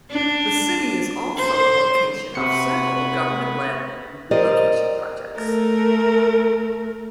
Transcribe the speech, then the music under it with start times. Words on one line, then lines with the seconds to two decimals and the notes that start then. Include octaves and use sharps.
The city is also a location of several government-led relocation projects.
0.11 D4
1.37 C5
2.35 C3 F#4 B4 C#7
4.31 G4 A#4 C5 D5 D#5
5.36 A3 A#4